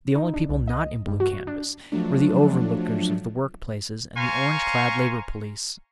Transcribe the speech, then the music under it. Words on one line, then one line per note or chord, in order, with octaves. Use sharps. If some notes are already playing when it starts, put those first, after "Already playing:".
The only people not in blue canvas were the overlookers of the work-places and the orange-clad Labour Police.
D#4
D4
C2
D#5
G2
F#4
D4
F3 F#3 A3 D4
C5 F5 G#5 A#5 C6 C#6